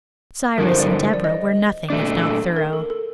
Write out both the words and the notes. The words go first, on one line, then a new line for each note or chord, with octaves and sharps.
Cyrus and Deborah were nothing if not thorough.
G2 D3 F3 A#4
C5
D5
D5
D#5
A#2 A3 D4 D5
A4
A#4
A4
A4